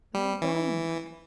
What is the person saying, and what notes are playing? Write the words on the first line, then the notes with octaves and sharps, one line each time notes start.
But I am dying of hunger.
G3
E3